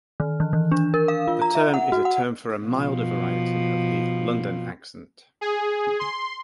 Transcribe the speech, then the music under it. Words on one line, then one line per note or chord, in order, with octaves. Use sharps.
The term is a term for a milder variety of the "London Accent".
D#3
E3
E3
D4
A#4
F5
F4
A#5
E5
F#5
F#4
F#5
B2 F3
G#4
C6